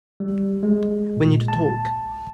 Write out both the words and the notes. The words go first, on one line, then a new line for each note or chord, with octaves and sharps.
We need to talk.
G3
G#3
A#2
A5